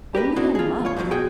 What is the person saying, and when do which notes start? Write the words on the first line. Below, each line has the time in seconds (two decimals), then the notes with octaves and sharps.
Only a month!
0.15 G4 A#4 B4
0.36 A#3 C4 D4 D#4 F#4
0.55 F4 G#4
0.85 F4 C#5
0.96 G2 B2 D3 F3 F#3
1.11 B2 F#4 G#4 G5